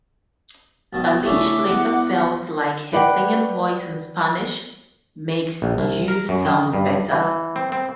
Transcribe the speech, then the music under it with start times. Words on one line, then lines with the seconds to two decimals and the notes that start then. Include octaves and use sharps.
Eilish later felt like her singing voice in Spanish "makes you sound better".
0.93 B1 D#3 A6
1.25 C#3 A3 D4 E4 E5 D6
1.68 E2 E4 F#5
2.93 B4 D5 F#5 G5
5.62 A#1
5.78 C2
6.08 A#4
6.29 F#2
6.45 D#3
6.74 G2
7.12 E3
7.56 C4
7.72 C4